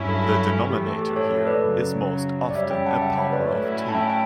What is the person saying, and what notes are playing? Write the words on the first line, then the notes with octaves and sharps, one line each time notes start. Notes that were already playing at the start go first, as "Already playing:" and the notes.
The denominator here is most often a power of two.
Already playing: G2 F#3 C#4 E4
A4
A2 E3 A3 G4
A4
G4
A4 C#5
A4
B4 D5
F#2 C#3 F#3
D5
F#2 C#3 G3 C#5 E5
E5 G5
F#5 A5
E5 G5
C#5 E5
B4 D5
A2 F#3 A3 C#4 E4 C#5 E5
A5
E5 G5
E5 G5